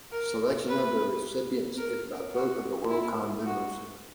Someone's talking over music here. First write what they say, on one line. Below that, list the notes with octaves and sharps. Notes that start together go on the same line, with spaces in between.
Selection of the recipients is by vote of the Worldcon members.
A#4
B4
A#4
F#4
E4
F#4